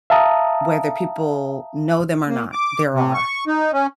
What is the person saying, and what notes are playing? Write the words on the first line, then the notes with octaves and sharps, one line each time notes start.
whether people know them or not, there are,
E5 F5 A5 A#5 D#6
A#3
D6
C3
C#6
D#4
C#4